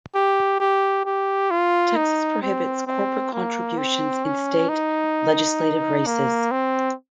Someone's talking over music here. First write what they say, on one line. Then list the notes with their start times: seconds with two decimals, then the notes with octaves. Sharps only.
Texas prohibits corporate contributions in state legislative races.
0.15 G4
0.60 G4
1.06 G4
1.50 F4
1.96 D#4
2.42 C4
2.87 C4
3.33 A#3
3.78 C4
4.24 C#4
4.69 D#4
6.06 A#3
6.51 C4